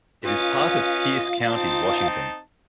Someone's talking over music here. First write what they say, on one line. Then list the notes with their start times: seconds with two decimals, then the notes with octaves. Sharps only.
It is part of Pierce County, Washington.
0.25 C#4 F4 B4 D#5 F5
1.50 C4 D#4 A5